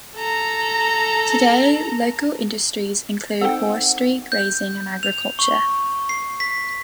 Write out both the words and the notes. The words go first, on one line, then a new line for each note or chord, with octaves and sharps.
Today, local industries include forestry, grazing and agriculture.
A4 A#5
C4 D#4 A4 F#5 G5
G6
F7
C#6
C7
B6